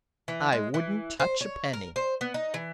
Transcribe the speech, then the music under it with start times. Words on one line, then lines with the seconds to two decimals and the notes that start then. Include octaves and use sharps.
I wouldn't touch a penny.
0.28 E3
0.53 G#3
0.74 E3
1.20 C5
1.41 C#5
1.73 A#4
1.96 C5
2.21 B3
2.34 D#4
2.54 E3